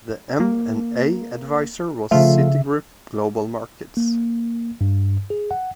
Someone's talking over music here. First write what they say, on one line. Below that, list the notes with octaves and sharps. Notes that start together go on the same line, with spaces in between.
The M and A advisor was Citigroup Global Markets.
A#3
C#3 F3 A3 F4 E5
A#3
G2
G#4
F#5